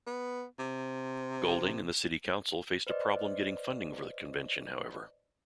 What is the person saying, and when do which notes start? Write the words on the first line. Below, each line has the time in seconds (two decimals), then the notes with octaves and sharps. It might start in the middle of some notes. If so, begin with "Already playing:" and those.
Golding and the city council faced a problem getting funding for the convention, however.
0.07 B3
0.59 C3
2.87 B4 C5 D5 D#5